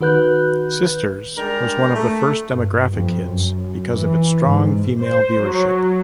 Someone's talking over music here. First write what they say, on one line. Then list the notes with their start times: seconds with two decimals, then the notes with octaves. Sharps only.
"Sisters" was one of the first 'demographic' hits because of its strong female viewership.
0.01 D#3 F#4 B4 F#6 G6
1.37 G3 G#3 D4 A#4 D5 A#5
1.95 A3
2.51 G2
2.90 F2
3.23 F#2
3.96 E3
4.43 G#2
5.01 C5
5.42 F#3